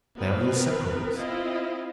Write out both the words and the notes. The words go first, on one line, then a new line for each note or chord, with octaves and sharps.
They are inseparables.
B3 C4 A#4 B4
C4 E4 F4 D#5